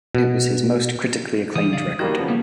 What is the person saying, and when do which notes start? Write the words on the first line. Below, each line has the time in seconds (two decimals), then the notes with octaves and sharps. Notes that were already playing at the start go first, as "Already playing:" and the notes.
It was his most critically acclaimed record.
0.15 B2
1.56 E3 G3 D#6
1.72 C#2 D5 F5
1.99 D#3 G3 A#3 F#4
2.16 C#3 F3 B3
2.28 G3 A#3 C#4